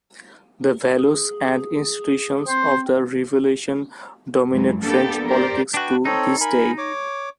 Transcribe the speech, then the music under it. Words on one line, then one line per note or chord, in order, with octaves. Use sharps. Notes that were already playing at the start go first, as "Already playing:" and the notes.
The values and institutions of the Revolution dominate French politics to this day.
G#4
C4 C5
F#2 E3 F#3 G#3
A#3 B3 D4 G4 A4
G4 A#4 C5 D5
D4 F#4 B4 G5
C4 D#4 A4 C#5
A#4 G#5 B5
C#5 D6